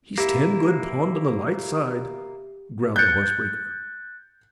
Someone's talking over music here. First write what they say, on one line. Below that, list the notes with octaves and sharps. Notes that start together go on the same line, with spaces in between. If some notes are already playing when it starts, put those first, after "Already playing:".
"He's ten good pund on the light side," growled the horse-breaker.
A#3 E4 G4
F#6 G6 A6 C#7